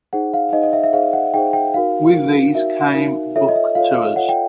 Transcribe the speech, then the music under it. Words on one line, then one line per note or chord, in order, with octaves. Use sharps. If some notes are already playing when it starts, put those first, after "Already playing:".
With these came book tours.
D#4 G#4 C5 F#5
F5
D#4 G#4 C5 D#5
D#5
E5
E5
D#4 G#4 C5 F5
F#5
D#4 G#4 C5 G5
G5
D#4 F#4 A#4 F5
D#4 F#4 A#4
D#4 F#4 A#4 E5
D#4 F#4 A#4
F4 A4 C#5 E5
D#5
E5
F4 A4 C#5 F5
F4 A4 C#5 F#5
G5